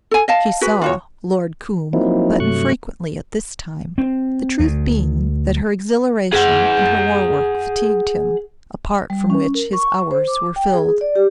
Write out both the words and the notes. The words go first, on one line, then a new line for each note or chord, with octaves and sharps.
She saw Lord Coombe but infrequently at this time, the truth being that her exhilaration and her War Work fatigued him, apart from which his hours were filled.
A4 G#5
D#5 F5 A5
F#4 G#4 B4
F4 F#4 C#5
F3 F#3 A#3 C4 D#4 E4
G2 C3 F#3 A3 C#6 F#6
C4
D2
G#4 F#5
G3
C#4
A#4
C#6
C5
D6
G5
G#4
D5
G4